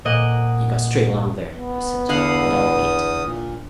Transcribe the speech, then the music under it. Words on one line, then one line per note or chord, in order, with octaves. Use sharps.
"You go straight along there," he said, "and I'll wait."
A#2 A#3 A#4 D#5 F#5
B3
E2 D3 F5 F#5 D#6
A#2